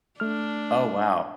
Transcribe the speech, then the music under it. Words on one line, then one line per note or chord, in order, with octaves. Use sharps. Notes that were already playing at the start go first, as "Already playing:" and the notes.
Oh, wow.
A3 D4 F6